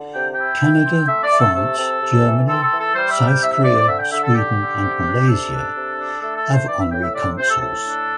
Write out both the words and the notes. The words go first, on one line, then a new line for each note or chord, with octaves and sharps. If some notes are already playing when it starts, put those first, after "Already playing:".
Canada, France, Germany, South Korea, Sweden and Malaysia have Honorary Consuls.
Already playing: D3
C3 G5
E4 G5
E3
C4
A3 E5
D5
A3
A4
C3 A4
C3
C3
E3
C4 A4
A4
E3
A4
G3 C5
E5
C3
G5
E4 E5
E5
C4 D5
D5
D3 E5
G5
D3 E5
A4
D3 G4
D3
C3
D4
C3 A4
D4
C3
D4
A3 A4
A4
E4
C5
E3 D5
E5
A2 G5
E5
C3 D5
C3 C5
A4
A2 A4
D4